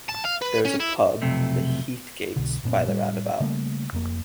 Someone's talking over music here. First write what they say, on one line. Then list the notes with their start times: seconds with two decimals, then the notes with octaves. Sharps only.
There is a pub, "The Heathgates", by the roundabout.
0.10 A5
0.25 F5
0.42 B4
0.65 C#4
0.80 E4
1.22 B1 F2 C3 A3
2.36 B1 B2 D3
2.64 F#1 A#2 B3 C#4
2.85 A2 G3
3.40 C#3 G3 A3 A#3
3.93 F1 F2 A#3